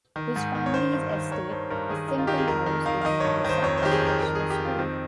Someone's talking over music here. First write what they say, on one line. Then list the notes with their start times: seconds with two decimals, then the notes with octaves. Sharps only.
His family's estate "Essington House" is now the site of a Christian school.
0.16 D#3
0.36 G#2
0.55 D#3
0.66 C#5
0.74 D#3 C5
0.93 G2
1.12 D#3
1.31 D#3 C#5
1.51 G2 C5
1.70 G2 A#4
1.89 D#3 G#4
2.08 D#3 D#4
2.18 F4
2.27 D#3 G4
2.38 G#4
2.48 F2 A#4
2.66 D#3
2.86 D#3 F5
3.01 F5
3.05 D#3 D#5
3.20 G2 C#5
3.44 D#3 C5
3.63 F2 C#5
3.77 C5
3.83 D#3 G4
3.91 G#4
4.02 F2 A#4
4.20 D#3 A#4
4.35 D#3 G#4
4.50 G4
4.59 F2
4.65 F4
4.78 D#3 C4